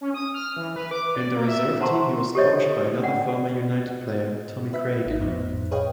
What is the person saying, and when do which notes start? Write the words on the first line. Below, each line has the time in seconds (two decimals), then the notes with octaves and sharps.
In the reserve team he was coached by another former United player, Tommy Craig.
0.01 C#4
0.14 D#6
0.34 F6
0.57 E3
0.76 B4
0.91 D6
1.15 D5
1.36 A#3
1.48 E5
1.80 C5 F#5 A5 A#5 C6 C#6
2.35 G4 A4 C5 C#5 D#5 E5
3.03 D5 F#5 G5
4.73 B4 E5 B6
5.06 G#1 D#4
5.21 F2 A2 B3
5.71 G#4 B4 C#5 D#5 F5 G5